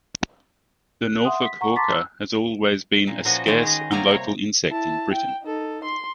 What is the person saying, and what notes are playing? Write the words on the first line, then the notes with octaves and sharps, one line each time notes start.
The Norfolk hawker has always been a scarce and local insect in Britain.
F#6
E5 F#5 C6 D#6
B6
F#5 A#5 C#6
A5 A#5 C6 D6 A6 B6
E6
A#2
A#2 F3 C#4 F#4 B4 D#5
D#3 G#3 D#4 C#5 G#5
G#4 D#5
F#3 G3 A#3 D5 G#5 A#5
C3 C#5
E4 A5
G5
D#4 A4
C6